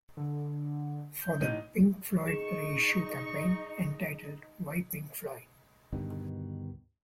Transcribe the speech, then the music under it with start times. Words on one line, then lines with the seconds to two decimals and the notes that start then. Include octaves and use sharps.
For the Pink Floyd reissue campaign entitled Why Pink Floyd...?
0.17 D3
1.22 G6
1.40 A1 D#4 D#7
2.26 D#4 G#4 C#6 E7
5.93 D2 G2 B2 D#3